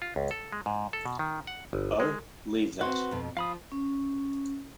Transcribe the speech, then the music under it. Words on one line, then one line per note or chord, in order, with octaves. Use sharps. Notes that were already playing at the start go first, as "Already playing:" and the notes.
Oh, leave that!
F4
C#2
A4
G#3
G#2
A4
B2
D#3
F#5
G1
G#3
C4 F#4 B4 C6
F2 B2
F3 F5 B5 D#6
C#4